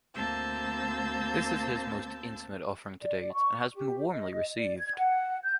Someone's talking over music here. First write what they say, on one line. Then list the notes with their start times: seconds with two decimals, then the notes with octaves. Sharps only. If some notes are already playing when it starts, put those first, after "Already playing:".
This is his most intimate offering to date and has been warmly received.
0.15 D2 A#3 C4 A5 E6 G6
3.03 D5
3.33 C#6
3.74 G4
4.13 D#5
4.58 D5
4.78 G#6
4.96 F#5
5.44 G6